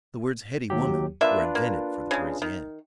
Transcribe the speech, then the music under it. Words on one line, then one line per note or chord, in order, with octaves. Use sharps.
The words heady woman were invented for the Parisienne.
D#2 F#3 G4
A#3 D4 F4 B4 E5
A#3
C#3 G#3
D#3